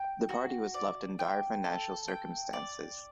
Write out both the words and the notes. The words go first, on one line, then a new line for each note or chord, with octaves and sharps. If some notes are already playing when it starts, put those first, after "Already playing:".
The party was left in dire financial circumstances.
Already playing: G5
F#4
D5
G5
A4
G5
D5